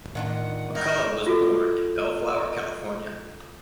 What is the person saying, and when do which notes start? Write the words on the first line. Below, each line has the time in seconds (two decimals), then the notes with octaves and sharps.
McCullough was born in Bellflower, California.
0.15 A2 D#3 D4 F4 F#5
0.75 D#2 D#4 E4 A#4
1.27 F4 F#4 A4